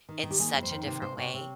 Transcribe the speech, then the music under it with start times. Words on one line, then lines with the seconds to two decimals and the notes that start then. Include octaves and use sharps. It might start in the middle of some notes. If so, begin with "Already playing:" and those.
in such a different way.
0.09 D#3
0.24 D#3
0.31 G4
0.39 A#3 G#4
0.55 F2
0.63 C5
0.71 D#3
0.87 C3 C5
1.02 C3 C5
1.18 C3 C#5
1.34 C3